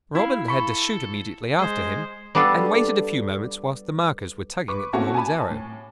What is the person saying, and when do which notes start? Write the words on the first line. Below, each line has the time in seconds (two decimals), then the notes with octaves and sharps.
Robin had to shoot immediately after him, and waited a few moments whilst the markers were tugging at the Norman's arrow.
0.15 E4 F5
0.48 A4 B5 C#6
1.58 G#3 C5
2.35 G3 B3 D4 F4 A4
4.68 B4 C#6 D6
4.93 A3 A#3 C4 C#4 F#4 A4
5.14 G#5 A5 B5
5.50 A2